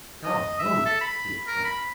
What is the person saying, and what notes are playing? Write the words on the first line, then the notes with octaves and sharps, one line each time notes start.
"Golly Moses!" he exclaimed.
D#5
E5
A4
B5
A#4
B5